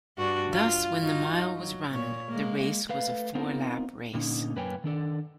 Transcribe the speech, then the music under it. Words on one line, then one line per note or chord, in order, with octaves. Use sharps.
Thus when the mile was run, the race was a four lap race.
G2 D4 F#4
F4
D#4 F4 F#4
F#3
A#2 C#5
G#3 A#3
A3 B4 F5
B3 C4 D#4 F4 A#4 C5
A#2 D3 A#3 C#4 D#4
F#2 A#3 B4 C#5 G5 G#5
D#3 D4 A4 D5